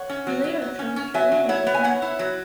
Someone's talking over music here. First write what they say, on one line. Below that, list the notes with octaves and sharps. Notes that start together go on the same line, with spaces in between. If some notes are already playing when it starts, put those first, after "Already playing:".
He later chose to remain in the draft.
Already playing: C#5 F#5
C#4
F#3
F#3
F#3
C#4
C#4
F#3 E5 G#5
F#3
E4 C#5 F#5
B3
G#5
B3 C#5 F#5
E4
F#3